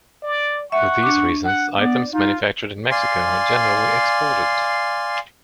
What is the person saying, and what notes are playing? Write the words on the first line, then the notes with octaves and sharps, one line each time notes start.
For these reasons, items manufactured in Mexico are generally exported.
D5
E5 F#5 C#6
D4 D6
F#5
B3 D5
D#4 F4
D5 F5 G#5 C6